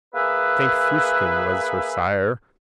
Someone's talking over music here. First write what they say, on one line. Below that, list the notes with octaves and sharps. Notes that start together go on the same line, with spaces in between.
Saint Frusquin was her sire.
A#3 G#4 B4 E5